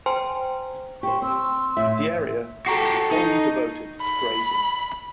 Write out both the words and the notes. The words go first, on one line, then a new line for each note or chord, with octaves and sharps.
The area is wholly devoted to grazing.
C5 G5 G#5 A#5 C6
G4 C5 C#6
C4 C6 E6
A2 E5
F#4 G4 A4 A#5 C#6 C7
D#4
B5